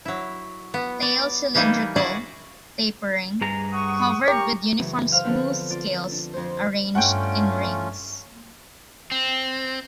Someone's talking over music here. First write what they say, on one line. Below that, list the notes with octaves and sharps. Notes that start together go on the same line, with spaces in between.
Tail cylindrical, tapering, covered with uniform smooth scales arranged in rings.
F#3 E4
B3
D5
E3 G3 A#3 D#4 E4
E4 F#4 G#4 D5 D#5 F#5
G2 G#4 A#5
F#5 C#6 D#6
G4 A#4 A#5 C#6
F#2 C#3 E3
C5 F5 G5
D3 F3 B3 C4 B4
F4 D5
D4
F2 C5
G2 A3 C#4 F4 F#5 G5
C4